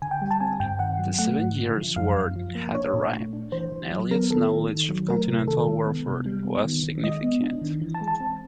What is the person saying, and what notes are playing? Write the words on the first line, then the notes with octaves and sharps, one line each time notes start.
The Seven Years' War had arrived, and Elliott's knowledge of continental warfare was significant.
D3 G#5
G5
G3
A5
C4 G#5
G2 G5
D#3 F#5
F#3
A3 F#5
G#2
D3
F3
F#2 F5
F#2
F3
A#3
D4 C#5
A#2
A3
D4
E3 C5
E3
F#3
B3 A#4
D#3 A4
D#3
D#3
F#3
A3 A#4
C3
D#3 A4
G#3
B3
C3
G3
B3
D#3
D#3
G#3 D#5
B3
D4
D#3
E3
A5
G#3
A5
C4